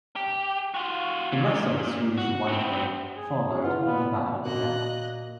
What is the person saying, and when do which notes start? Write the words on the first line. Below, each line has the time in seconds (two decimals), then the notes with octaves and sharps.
The rest of the Swedish right wing followed and the battle began.
0.16 G4
0.74 F4 F#4
1.32 A#2
2.18 F#4
2.48 B3 C4
3.16 G#4
3.64 E4 F4 B4 F#5
3.88 B3
4.45 A#2 A#3 F#4 D#5 F#6